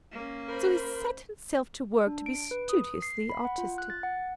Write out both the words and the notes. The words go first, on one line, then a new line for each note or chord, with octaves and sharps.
So he set himself to work to be studiously artistic.
A#3 C#4
A#4 C5 B5
D4
D7
B4
D#6
C7
B5
F#5
F4
F#6
A6
F#5